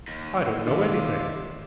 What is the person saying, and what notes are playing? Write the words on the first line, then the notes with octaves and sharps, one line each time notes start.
I don't know anything.
D#2
D#3 F4 G4 D5 E5